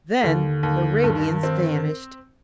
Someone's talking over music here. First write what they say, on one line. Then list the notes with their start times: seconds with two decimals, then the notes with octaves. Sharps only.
Then the radiance vanished.
0.23 D#2 D3
0.63 D#2
1.03 G2 D#3
1.43 C4